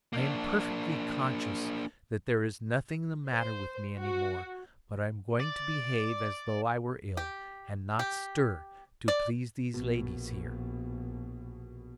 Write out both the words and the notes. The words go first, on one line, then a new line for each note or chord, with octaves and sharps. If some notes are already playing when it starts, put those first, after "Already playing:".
I am perfectly conscious that there is nothing the matter with me any more; but I am going to behave as though I were ill, and not stir, to please these ladies here.
A#3 D4
C5
F#4
D5
G4
G4
D5
A#1 B2